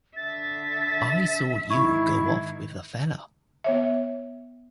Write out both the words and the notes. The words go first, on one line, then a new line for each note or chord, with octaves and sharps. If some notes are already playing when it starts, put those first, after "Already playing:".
I saw you go off with a fellah.
D3 E5 A6
G#2 D#3 E4 C#6 G#6
B3 C#5 E5